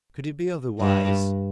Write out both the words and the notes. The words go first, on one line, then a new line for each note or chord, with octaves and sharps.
Could it be otherwise?
G2